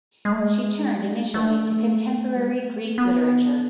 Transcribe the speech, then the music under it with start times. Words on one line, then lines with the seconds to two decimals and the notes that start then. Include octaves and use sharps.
She turned initially to contemporary Greek literature.
0.25 G#3
0.33 A3
0.40 G#3
1.34 A3
2.35 G3
2.43 G#3
2.57 A3
2.71 A#3
2.84 C4
2.98 B3